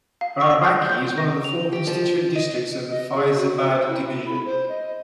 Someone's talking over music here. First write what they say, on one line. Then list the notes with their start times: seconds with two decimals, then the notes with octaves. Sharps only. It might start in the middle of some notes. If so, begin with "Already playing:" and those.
Barabanki is one of the four constituent districts of Faizabad Division.
0.21 F5
0.41 C#6
0.65 G6
0.90 G6
1.18 A#6
1.44 F7
1.73 G4
1.87 F3
2.35 D#5
2.90 D#5
3.15 G#4
3.37 F#4
3.72 C5
3.88 E4
4.26 B5
4.46 C5
4.69 D#5